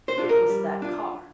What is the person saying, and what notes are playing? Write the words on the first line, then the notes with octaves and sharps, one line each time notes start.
It was that car.
C5
D4 F4
A#4
G3
D4 F4